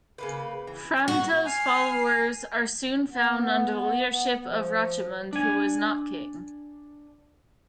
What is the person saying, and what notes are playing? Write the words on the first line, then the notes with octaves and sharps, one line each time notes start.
Framta's followers are soon found under the leadership of Rechimund, who was not king.
C#3 A#3 B4
E3
F#4
G#5 F6 C7
B3
F3
D4 G#5